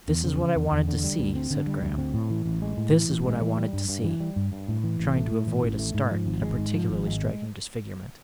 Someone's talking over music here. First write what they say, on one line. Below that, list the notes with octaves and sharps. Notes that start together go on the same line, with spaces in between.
"This is what I wanted to see," said Graham; "this is what I wanted to see," trying to avoid a start at a particularly striking disfigurement.
E2
C#3
E3
E2
E2
D3
G3
D2
C4
D3
G3
D2
C4
A2
E3
A1
G#3
A2
E3
A1
G#3
E3
G3
G2
G2
E3
G3
G2
G2
A2
E3
A1
A3
A2
E3
A1
A3
G#2
F3
G#1
G#3
G#2
F3
G#1
G#3